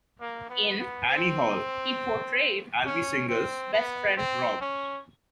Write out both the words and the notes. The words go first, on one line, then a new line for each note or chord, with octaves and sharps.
In "Annie Hall", he portrayed Alvy Singer's best friend Rob.
A#3
B3
B3
C4
C#4
C4
B3
C4
C#4